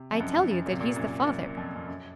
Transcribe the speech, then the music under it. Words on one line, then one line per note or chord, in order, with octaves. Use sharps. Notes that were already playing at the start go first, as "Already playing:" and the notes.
"I tell you that he's the father."
Already playing: C3
F2
F#2
F2
F#2
A#2
C3
A#2
F#2
F#2
F2
F2
F#2